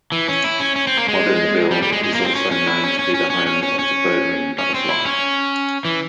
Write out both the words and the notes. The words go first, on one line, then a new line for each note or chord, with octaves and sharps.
Modanville is also known to be the home of the Birdwing butterfly.
E3
C#4
E4
C#4
C#4
C4
A#3
G#3
G3
G3
G#3
G#3
A#3
C4
C#4
C#4
E4
C#4
C#4
C#4
C#4
C#4
C#4
C#4
C#4
C4
E4
C#4
E3